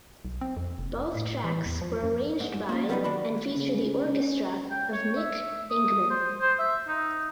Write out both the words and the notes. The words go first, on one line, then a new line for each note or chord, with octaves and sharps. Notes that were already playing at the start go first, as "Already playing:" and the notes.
Both tracks were arranged by and feature the orchestra of Nick Ingman.
B1
C4
F2
F1
A2
E3
E2
F3
F#2
G#2
A#3 C#4
F#3 G3 B3 C#4 D#4 B4
D#3 D4 F#4 A5 B5
C#3
C#4
G5
C#5
E5
D#6
C5
C5
E5
D#4